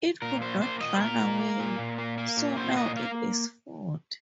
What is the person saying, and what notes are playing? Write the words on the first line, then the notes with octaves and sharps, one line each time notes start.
It could not run away, so now it is food.
A#2 A#4
A#3 C5
A#3 C5
A#2 D#5
C5
A#2 A#4
A#3
A#3
A#2
A#2
A#3
A#3
A#2
A#2 C5
C5
A#3 D#5
A#3 F5